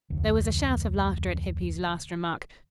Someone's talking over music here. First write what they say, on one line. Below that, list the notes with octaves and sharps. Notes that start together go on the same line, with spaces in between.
There was a shout of laughter at Hippy's last remark.
F1 D2